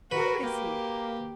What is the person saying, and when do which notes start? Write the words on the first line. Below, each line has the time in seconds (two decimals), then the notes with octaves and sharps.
Where is he?
0.11 F#4 A#4 B4
0.43 A#3 G4